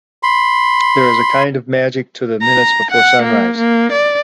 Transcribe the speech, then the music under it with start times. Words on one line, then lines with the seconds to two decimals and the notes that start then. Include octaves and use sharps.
There is a kind of magic to the minutes before sunrise.
0.23 B5 C6
2.42 A#5
2.91 F#5
3.23 A#3
3.58 A#3
3.92 D5